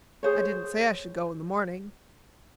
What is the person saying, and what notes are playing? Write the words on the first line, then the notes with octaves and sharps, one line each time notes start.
I didn't say I should go in the morning....
G#4 C5 C#5